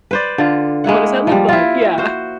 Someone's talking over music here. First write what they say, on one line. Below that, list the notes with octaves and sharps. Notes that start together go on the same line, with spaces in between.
What does that look like? Yeah.
B4 C5 D5
D3 F4
G#3 A#3 E4 F#5
F3 G3
E4 F4
F#4 C5